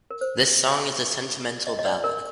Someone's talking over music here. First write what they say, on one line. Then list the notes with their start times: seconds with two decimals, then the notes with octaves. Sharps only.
The song is a sentimental ballad.
0.10 A#4
0.21 C5
1.67 D#5
1.79 D#5
1.85 D5
2.04 A#4